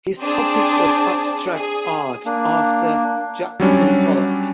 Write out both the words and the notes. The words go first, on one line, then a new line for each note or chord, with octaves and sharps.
His topic was abstract art after Jackson Pollock.
C4 D4 G#4 A5
G#4
A#3 D4
F#3 G3 C#4 D4